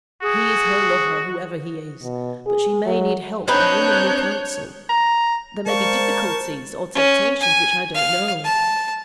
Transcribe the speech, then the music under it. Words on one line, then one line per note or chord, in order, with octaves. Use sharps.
He is her lover, whoever he is; but she may need help and womanly counsel;--there may be difficulties or temptations which I don't know.
F#4 G#4
B2
G#4
F#3
C4 D4 D#4 B4 C#5 F#6 G6
A#5
G#3 A#4 C5 D5 F5 A5 C#6
C#4
G#5
F5
A5